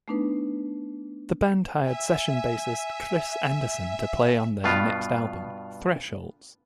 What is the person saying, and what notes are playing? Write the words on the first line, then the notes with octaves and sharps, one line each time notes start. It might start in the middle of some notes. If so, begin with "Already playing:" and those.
The band hired session bassist Chris Anderson to play on their next album, "Thresholds".
A3 B3 D4 D#4 B4
E5 G#5
G2 B2 B3 F4